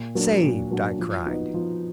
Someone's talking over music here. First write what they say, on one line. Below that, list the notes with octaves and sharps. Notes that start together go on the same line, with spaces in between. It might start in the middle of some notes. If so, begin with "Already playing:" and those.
"Saved!" I cried.
Already playing: A#2
F#3 A#3 D4 F#4
A#2
F#3 A#3 D4 F#4
F3
B3 D#4 F#4
F3